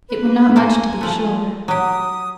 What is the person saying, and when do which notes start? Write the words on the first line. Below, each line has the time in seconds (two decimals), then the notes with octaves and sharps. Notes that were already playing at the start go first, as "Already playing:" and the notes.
It were not much to be sure.
0.09 B4
0.56 A#3 A4 C5 G#5
1.01 F3 A3
1.68 F#3 G4 D#6